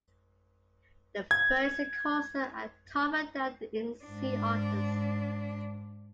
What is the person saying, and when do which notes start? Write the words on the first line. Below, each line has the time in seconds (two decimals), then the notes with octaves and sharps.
The fur is coarser and tougher than in sea otters.
1.31 G#6
4.05 G#2 D4